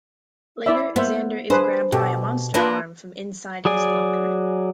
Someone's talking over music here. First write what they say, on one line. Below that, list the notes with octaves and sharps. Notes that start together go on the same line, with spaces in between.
Later, Xander is grabbed by a monster arm from inside his locker.
E4 D5 E5
A#3 B3 C5 E5
D4 G#4 B4 C5
B2 G4 A4
A#3 B3 D4 F4 B4 A#5
F#3 G#4 D5 G#5